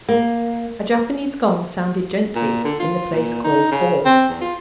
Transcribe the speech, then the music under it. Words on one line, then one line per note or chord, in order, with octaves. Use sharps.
A Japanese gong sounded gently in the place called hall.
A#3
A#2
D3
F4
A#2
D#4
C#3
C4
E2
F4